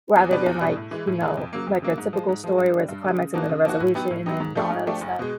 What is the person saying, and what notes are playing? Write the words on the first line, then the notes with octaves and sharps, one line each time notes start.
rather than, like, you know, like a typical story where it's a climax and then a resolution and all that stuff.
E2
B2 G3 B3 D4
E2
B2 G3 B3 D4
A2
E3 G#3
A2
E3 G#3
F2
C#3 F#3 A#3
F2
C#3 F#3 A#3
G#2
F3 G#3
G#2
F3 G#3
G2
D3 G3
G2
D3 G3
C#3
F3 A#3 D#4 F#4
C#3
F3 A#3 D#4 F#4
A2
F#3 B3 D#4 G4
A2
F#3 B3 D#4 G4
G#2
F3 A3 D4 G4
G#2
F3 A3 D4 G4
F#1
B2 G#3